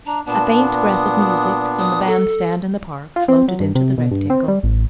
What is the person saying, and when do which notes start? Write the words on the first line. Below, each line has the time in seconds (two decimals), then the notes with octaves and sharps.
A faint breath of music from the band-stand in the park floated into the Rectangle.
0.06 D4 A#5
0.27 A#2 B3 D4 A5
0.92 D#6
1.79 D#6
2.07 A4
3.16 F4
3.28 C4
3.48 F#3
3.60 G2
3.75 C3
3.98 B2
4.11 G2
4.30 C4
4.48 G3
4.63 A1